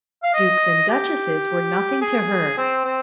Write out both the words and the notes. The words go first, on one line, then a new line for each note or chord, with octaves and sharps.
Dukes and duchesses were nothing to her.
F5
D#5
G4
G#4
C4
C4